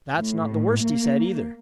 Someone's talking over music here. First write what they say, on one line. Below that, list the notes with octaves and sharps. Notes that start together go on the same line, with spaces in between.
That's not the worst he said, either.
A2
A#3